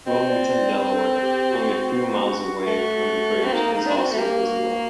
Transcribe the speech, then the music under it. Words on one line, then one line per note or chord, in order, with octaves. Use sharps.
Wilmington, Delaware, only a few miles away from the bridge, is also visible.
C4 D#5
D5
D5
C5
A4
G4
F#4
A3
C4
A#3 D#4
A#3 D#4
D4
C4 F#4
A3
A#3 G4
F#4
F#4